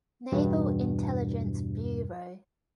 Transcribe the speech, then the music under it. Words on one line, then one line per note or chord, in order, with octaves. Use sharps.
Naval Intelligence Bureau.
E2 G2 B2